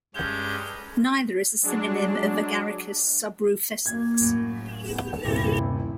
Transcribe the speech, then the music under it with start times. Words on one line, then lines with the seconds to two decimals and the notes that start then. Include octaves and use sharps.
Neither is a synonym of "Agaricus subrufescens".
0.15 G2 G#3 C#4 G6
1.62 F#3 G#3 D4
3.86 A#3 G#6
4.21 F#2 A2
4.86 B3
5.25 D#1 G2 C3 E4